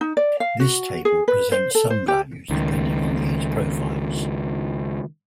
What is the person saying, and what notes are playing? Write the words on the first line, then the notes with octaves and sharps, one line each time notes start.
This table presents some values depending on these profiles.
D#4
D5
F5
F#4
G#4
B4
C5
A4
C5
G4
C#2 D#3